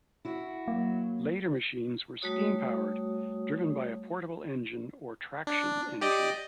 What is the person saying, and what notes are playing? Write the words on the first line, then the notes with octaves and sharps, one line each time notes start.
Later machines were steam-powered, driven by a portable engine or traction engine.
E4 F#4
F#3 A#3
G3 A3 F#4 C#5 D#6
D4
G4 D5 D#5